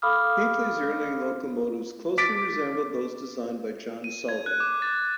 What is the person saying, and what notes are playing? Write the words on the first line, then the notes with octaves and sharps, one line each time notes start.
Hinkley's early locomotives closely resembled those designed by John Souther.
A4 F5 B5 D6 D#6 F6
D6 A6 B6 D7
D#7
G#6
F#6
D6
A6